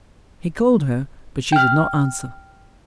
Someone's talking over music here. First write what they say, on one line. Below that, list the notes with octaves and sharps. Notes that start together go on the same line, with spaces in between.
He called her, but she did not answer.
G5 F6